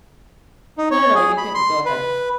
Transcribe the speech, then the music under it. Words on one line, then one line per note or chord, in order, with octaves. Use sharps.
No, no, you can go ahead.
D#4
C#5
G#4
B5
C6
B4